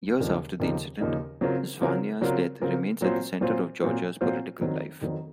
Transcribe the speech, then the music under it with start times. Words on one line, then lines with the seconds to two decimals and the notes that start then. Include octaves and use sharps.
Years after the incident, Zhvania's death remains at the center of Georgia's political life.
0.20 D#2 C#3 F3 A#3 D#4
0.60 D#2 C#3 F3 A#3 D#4
1.01 D#2 C#3 F3 A#3 D#4
1.41 C#3 F#3 C4 F4 A#4
1.81 C#3 F#3 C4 F4 A#4
2.21 C#3 F#3 C4 F4 A#4
2.61 C#3 F#3 C4 F4 A#4
3.01 A#2 F#3 C4 F4 C5
3.41 A#2 F#3 C4 F4 C5
3.81 A#2 F#3 C4 F4 C5
4.21 A#2 F#3 C4 F4 C5
4.61 F2 D#3 F#3 C4
5.01 F2 D#3 F#3 C4